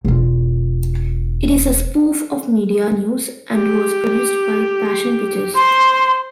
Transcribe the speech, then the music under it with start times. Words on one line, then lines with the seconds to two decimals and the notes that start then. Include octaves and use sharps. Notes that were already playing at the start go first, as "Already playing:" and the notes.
It is a spoof of media news and was produced by Passion Pictures.
0.05 E1 F4
3.54 G4
5.56 C5 C6